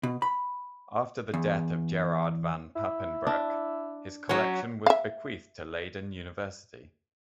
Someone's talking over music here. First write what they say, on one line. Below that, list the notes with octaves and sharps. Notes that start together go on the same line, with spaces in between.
After the death of Gerard van Papenbroek his collection was bequeathed to Leiden University.
B2
B5
E2
E4
D4
F#3 C#4 C#5
E5 F5